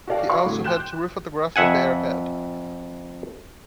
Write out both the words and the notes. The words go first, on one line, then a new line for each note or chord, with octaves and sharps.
He also had to re-photograph the bear head.
F#4 G4 A4 D5 F5 G5
F#4 F5 F#5 B5 C#6 D6
C2 A2 D3 F#3
G5 C6 F#6 G6 E7
F2 E5 F#5 G#5